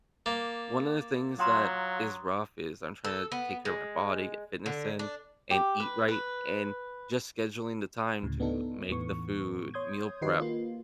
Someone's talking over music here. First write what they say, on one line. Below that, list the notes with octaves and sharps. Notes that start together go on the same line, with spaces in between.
one of the things that is rough is I'm tryna take care of my body, get fitness in, and eat right, and just scheduling the time to make the food, meal prep
A#3 D6 A6 E7
F#3 F4 A#5 C6 D#6
A4
B3
G#3
D3
D4
G4
B4
B4
D2 A2 C#3
B3 D4 D#4 A4
E2 A2 E3 B3 C#6
C#5 C6 D#6 G6 G#6
D#3 F#4 G4 B4 D#5 C7
A#3 F4